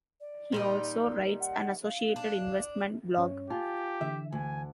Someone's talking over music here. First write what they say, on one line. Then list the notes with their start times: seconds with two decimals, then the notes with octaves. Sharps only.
He also writes an associated investment blog.
0.20 D5
0.52 A#2 G3 D#4
1.40 F#5
1.85 F5
2.16 D4
3.17 G2 C#4 C#5
3.50 F4 G4 G#5 A5
4.01 D3 E3 E5
4.32 D2 G#5